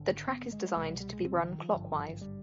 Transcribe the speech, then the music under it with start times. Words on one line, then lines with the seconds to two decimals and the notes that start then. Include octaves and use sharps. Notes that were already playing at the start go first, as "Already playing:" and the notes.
The track is designed to be run clockwise.
Already playing: G#1 D3
0.28 B3
0.52 G#3
0.76 C2 B2 G#3
0.88 G3
1.00 G3
1.13 G#3
1.24 C4
1.37 D#3
1.49 D#3
1.61 F3
1.73 G#1 G2 D3
2.21 G3